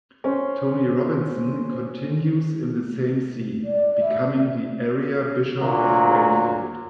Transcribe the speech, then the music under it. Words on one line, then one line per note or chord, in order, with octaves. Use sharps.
Tony Robinson continues in the same See, becoming the area Bishop of Wakefield.
C#4 C5
D5
E5
D2 A#2 F#3 A#3